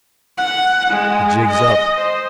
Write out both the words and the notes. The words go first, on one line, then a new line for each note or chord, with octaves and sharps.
The jig's up.
F#5
G#3
D#5
C5